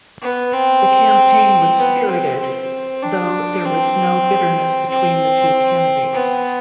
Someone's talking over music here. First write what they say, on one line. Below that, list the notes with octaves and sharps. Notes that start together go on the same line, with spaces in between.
The campaign was "spirited," though there was no bitterness between the two candidates.
B3
C4
B3
C4
C4
D4
C4
C4
B3